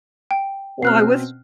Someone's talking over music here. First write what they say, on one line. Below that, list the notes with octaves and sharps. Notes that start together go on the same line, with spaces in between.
Well, I wish
G5
B2 C4 C#4 F6 F#6 C7